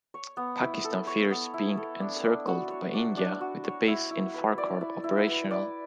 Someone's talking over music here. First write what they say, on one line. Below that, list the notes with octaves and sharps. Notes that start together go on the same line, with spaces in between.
Pakistan fears being encircled by India with the base in Farkhor operational.
C#5
B3
E4
A4
C#5
B3
E4
A4
D4
D4
F#4
C#5
D4
D4
F#4
C#5
E4
E4
B4
D5
E4
E4
B4
D5